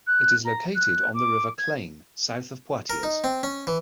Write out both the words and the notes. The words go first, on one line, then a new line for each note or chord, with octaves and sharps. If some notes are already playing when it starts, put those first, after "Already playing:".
It is located on the River Clain, south of Poitiers.
F#6
A#5
F#6
D6
G#6
A#4
D#4
C4
C#4
E3